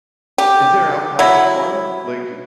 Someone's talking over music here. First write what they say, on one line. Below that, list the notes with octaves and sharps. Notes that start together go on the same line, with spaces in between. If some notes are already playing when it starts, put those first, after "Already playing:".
Is there a alpaca farm, like, uh,
G4
F#3 E4